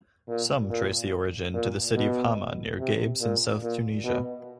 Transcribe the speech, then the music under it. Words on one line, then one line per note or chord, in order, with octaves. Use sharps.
Some trace the origin to the City of Hamma near Gabes in South Tunisia.
A#2
A#2
A#2
B2
C3
A#2
A#2
B2